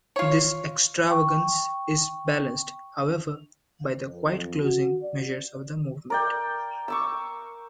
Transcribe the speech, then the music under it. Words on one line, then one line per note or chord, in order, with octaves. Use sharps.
This extravagance is balanced, however, by the quiet closing measures of the movement.
F4 C#5
G5 C#6
F2
F#4
D5
A#4 D5 G5
C#6 D6 E6